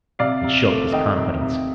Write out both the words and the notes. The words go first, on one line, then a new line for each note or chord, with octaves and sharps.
It shook his confidence.
C3 D5 F5
C3
A3
D#3 D#5 G5
C3
C3